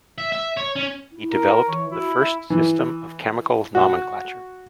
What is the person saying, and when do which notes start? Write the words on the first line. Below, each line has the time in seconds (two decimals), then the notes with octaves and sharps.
He developed the first system of chemical nomenclature.
0.18 E5
0.32 E5
0.57 C#5
0.76 C#4
1.12 E4
1.32 A#4
1.68 E3 C#5
1.91 E4 F#4
2.14 E5
2.50 E3
3.75 F#4